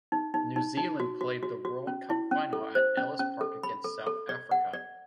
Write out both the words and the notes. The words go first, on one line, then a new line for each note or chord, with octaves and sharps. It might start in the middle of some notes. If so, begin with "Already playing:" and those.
New Zealand played the World Cup final at Ellis Park against South Africa.
D#4
D#4
D#4
D#4
F#4
F#4
F#4
F#4
C#4
E4
C#4
A4
C5
C#4
C#4
A4
B5
A4
A4
D5
F#5
D5